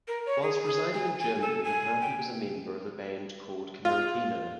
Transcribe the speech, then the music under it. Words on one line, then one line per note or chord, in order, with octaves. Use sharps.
Whilst residing in Germany, McCarthy was a member of a band called Kamerakino.
A#4
C#5
G#4
G#4
G#5
G#5
A4
G#5
G5
F4